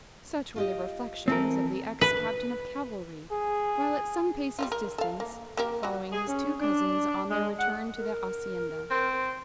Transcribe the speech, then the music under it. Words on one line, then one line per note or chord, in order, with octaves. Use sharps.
Such were the reflections of the ex-captain of cavalry, while at some paces distance following his two cousins on their return to the hacienda.
F4 G4 D#5
E3 C4 A4 A#4
B4
G#4
G3 B3 F4
A#4
A4 F5
A#3
A#3 G4 A#4
F#3 F#4
G#4
C#4
D4
G#3
F#5
A#4
C4